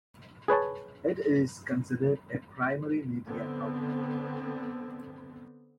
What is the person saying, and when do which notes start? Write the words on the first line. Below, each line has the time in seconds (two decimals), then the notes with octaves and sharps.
It is considered a primary media outlet.
0.48 G#4 B4 C#5 A5
3.26 D3 B3 C4